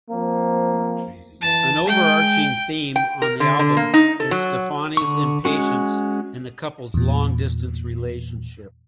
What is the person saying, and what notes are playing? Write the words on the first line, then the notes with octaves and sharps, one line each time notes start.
An overarching theme on the album is Stefani's impatience in the couple's long-distance relationship.
F3 A#3 C4
E3 A5
G#3 G5
G5
A#4
D3
D3
A#3
D#4
A4
F#3
D3 C#6
G#3 C#4 F#4
E2 A#2